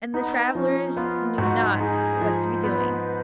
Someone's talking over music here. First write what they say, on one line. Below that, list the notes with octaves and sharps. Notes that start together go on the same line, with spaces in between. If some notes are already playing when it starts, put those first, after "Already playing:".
And the travellers knew not what to be doing.
B3 D#4
F3 C#4
B3 F4
G#2 F#4
D#4 G#4
F3
B3 B4